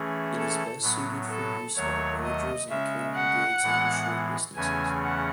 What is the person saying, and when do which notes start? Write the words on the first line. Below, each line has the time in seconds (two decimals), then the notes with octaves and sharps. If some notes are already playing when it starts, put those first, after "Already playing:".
It is best suited for use by villagers in carrying goods over short distances.
Already playing: E3 A3 C#4 G#4
0.36 A4
0.81 A2 F#3 B3
1.29 A4
1.75 D#2 D#3 F#3 A3 C#5
2.23 D#5
2.69 C#3 G#3 C#4 E5
3.15 F#5
3.62 A2 E3 G#3 B3
4.56 E2 C#3 E3 A3 C#4 G#5
5.03 F#5